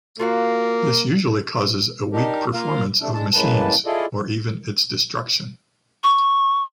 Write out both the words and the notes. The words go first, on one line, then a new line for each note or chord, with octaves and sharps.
This usually causes a weak performance of machines or even its destruction.
A#3 F4 F#4 F5
D4 D#4 G4 A#4
A#3 F4 A#4 F5
C3 A3 D4
G#3 D4 A5
A2 C#3 G#3 A#3 B4 A5
E4 F4 G#4 A4 D5 D#5
C#6